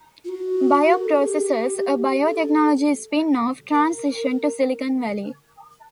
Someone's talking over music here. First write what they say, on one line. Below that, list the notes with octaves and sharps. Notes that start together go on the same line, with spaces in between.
Bioprocessors, a biotechnology spinoff, transitioned to Silicon Valley.
F4
F#4
A#4
A4
G#4
G4
A4
A#4